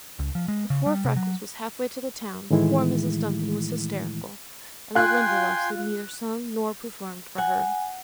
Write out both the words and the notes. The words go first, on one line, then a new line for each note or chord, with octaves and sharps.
Before Freckles was halfway to the town, poor Mrs. Duncan was hysterical, and the Limberlost had neither sung nor performed for her.
C#2
F3
G#3
C#3
G3
C3
F#3
A2 D#3 E3 G#3 A3 E4
F4 G5 G#5 C6 F#6
F#5 G#5